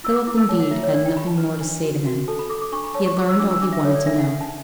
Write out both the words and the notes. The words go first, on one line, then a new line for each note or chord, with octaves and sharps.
Philip, indeed, had nothing more to say to him: he had learned all he wanted to know.
E4 E6
D6
E4 D6
E6
C#5 A5
F#5
E4 E5
C#5
D4 D5
G5
G4 B5
A5
B4
D4
F#4
F#4
A4 A5
B5
A4 D6
D6
D4 C#6
B5
C#5 A5
C#6
C#5 D6
E6
D4 D6
E6
D4 D6
E5
A4 C#5
D5
D4 E5
F#5
D4
A5